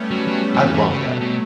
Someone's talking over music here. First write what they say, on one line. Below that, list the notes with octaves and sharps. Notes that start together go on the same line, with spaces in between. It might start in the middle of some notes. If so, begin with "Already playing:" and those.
I love that.
Already playing: G3 A3 B3 C#4
F#3 G3 B3
F#3
F#3
E3
E3 F#3 A3
C#3
B2 F#3
B2